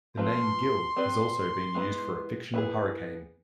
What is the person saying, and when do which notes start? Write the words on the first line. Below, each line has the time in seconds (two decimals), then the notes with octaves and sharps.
The name Gil has also been used for a fictional hurricane.
0.17 F3 A3 C4 F4 B4 C6
0.96 C4 G#4 B4 D5
1.75 G#3 B3 E4
2.54 B3 E4 G#4